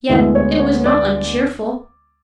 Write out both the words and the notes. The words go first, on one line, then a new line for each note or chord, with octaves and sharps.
Yet it was not uncheerful.
D2 D3 G#3 B3 E4
C#5
C#5
D5